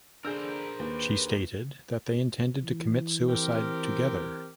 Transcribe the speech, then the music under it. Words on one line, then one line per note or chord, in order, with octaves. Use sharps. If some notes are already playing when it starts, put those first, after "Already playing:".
She stated that they intended to commit suicide together.
D3 D4 G#4 A#4 C5 E6 G6
D#2 B4
E3
C4 G4 A#4